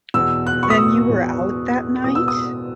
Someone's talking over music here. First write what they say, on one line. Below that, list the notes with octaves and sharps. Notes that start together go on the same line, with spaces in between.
Then you were out that night?
E2 B2 E6
F#6
C#6
D#6
E6
E2 B2
E2 B2 D#6
E6
D#6